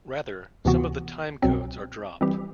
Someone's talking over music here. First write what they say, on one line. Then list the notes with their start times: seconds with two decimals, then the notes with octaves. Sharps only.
Rather, some of the "timecodes" are dropped.
0.65 D2 C3 E3 B3 F#4
1.42 C2 B2 F#3 C4
2.21 E3 G3 C4 G4 B4